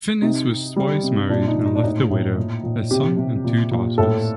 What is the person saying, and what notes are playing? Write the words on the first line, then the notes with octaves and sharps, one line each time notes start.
Finniss was twice married and left a widow, a son and two daughters.
C3 D#4
C3
G3
C3
A#2 D4
D#4
A#2
D#4
D4
A2 D#4
A2
A#2
A#2
C3 G4
C3
A#2
A#2
A2 A4